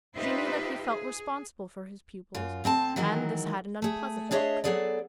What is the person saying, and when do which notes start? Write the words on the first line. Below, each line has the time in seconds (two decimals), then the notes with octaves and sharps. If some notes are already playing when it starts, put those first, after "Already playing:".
She knew that he felt responsible for his pupils, and this had an unpleasant look.
0.15 D#4 F4 G4 B4 C5 E5
0.87 G#4
2.35 F#2 F4
2.64 D2 C4 G5 A5
2.96 D#3 E3 F#3 G#3 E4 A#4
3.82 A3 G#4
4.31 D4 G#4 C#5 D#5 E5
4.64 F#3 G3 B3 G#4 A4 D5